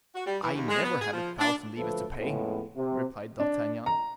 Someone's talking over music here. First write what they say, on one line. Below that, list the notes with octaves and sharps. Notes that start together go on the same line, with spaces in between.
"I never have a thousand livres to pay," replied D'Artagnan.
F#4
G3
E3
D#2
G#3
B3
G#4
F3
D4
D2 F3 A3 A4 B4
F2 A2 C#3 G#3 B3
C3
D4
A#5